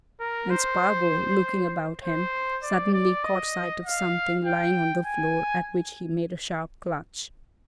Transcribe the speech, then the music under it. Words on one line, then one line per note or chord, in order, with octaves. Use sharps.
And Spargo, looking about him, suddenly caught sight of something lying on the floor at which he made a sharp clutch.
A#4
C5
C5
D5
D5
D#5
F5
G5
G#5